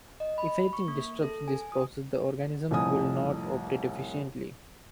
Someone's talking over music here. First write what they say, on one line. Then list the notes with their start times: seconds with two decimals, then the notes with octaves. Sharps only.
If anything disrupts this process, the organism will not operate efficiently.
0.20 D#5
0.38 B5
0.73 C#6
0.88 A#3
1.22 A4
1.48 G#5
1.72 D#6
2.71 C2 F2 A2 G#5 D#6